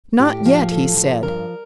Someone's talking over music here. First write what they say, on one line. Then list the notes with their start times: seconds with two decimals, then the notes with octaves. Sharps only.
"Not yet," he said.
0.19 A2 G4
0.46 F3
0.71 A2 A4
0.97 F3
1.23 G2 A#4